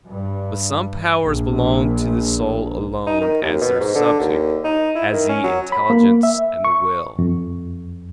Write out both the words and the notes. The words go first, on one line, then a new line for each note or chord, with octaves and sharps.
But some powers belong to the soul alone as their subject; as the intelligence and the will.
G2
A#1
D#4
D#3
D#2
B2
G#2
D3
D#2
D#4
E4
D#3
C#4
F#3
B5
A#3
E5
C#6
F2